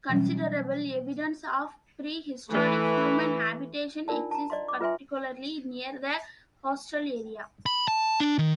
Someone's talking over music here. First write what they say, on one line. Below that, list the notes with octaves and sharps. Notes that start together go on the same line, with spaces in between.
Considerable evidence of prehistoric human habitation exists particularly near the coastal area.
B2 E3 F#3 G3 C#4
E3 A3
D4 D#4 F4 A#4 D5 A5
A5 A#5
D5 D#5 F5 C6
D6
F4 B4 E5 G#5 C6
B5
A5
D4
D#3